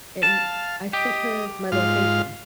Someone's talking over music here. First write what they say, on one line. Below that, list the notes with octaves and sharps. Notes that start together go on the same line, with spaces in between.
And I sent her my location
F5 A5
G4 D#5
G#2 F4 F5